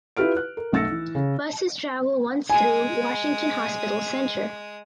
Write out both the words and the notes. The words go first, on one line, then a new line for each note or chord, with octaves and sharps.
Buses travel once through Washington Hospital Center.
E4 F4 G4 B4 F6 D7
F#6
A#4
B1 A3 E6 A6 A#6 C#7
E3
C#3
G#3 G#5 D#6